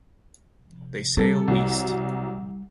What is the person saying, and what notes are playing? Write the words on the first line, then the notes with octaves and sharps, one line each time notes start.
They sail east.
C3 G3 A4
C2 F#3